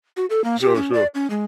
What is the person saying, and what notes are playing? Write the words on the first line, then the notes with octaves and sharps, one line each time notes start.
Sure, sure.
F#4
A4
A#3
G4
C#4
D5
C#4
G#3